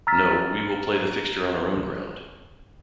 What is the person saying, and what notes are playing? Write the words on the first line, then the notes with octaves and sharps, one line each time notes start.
No, we will play the fixture on our own ground.
A#5 E6 F6 A6 B6